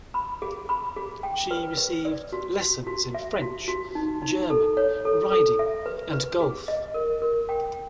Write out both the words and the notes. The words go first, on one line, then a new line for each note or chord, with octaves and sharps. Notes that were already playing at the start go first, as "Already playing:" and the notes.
She received lessons in French, German, riding and golf.
B5
G#4
B5
G#4
G5
B4
B4
D5
F#4
F#4
F#4
E5
F#4
F#4
D#4
D#4
A4
C#5
A4
A4
E5
B4
B4
G#4
D#5
A#4
A#4
G5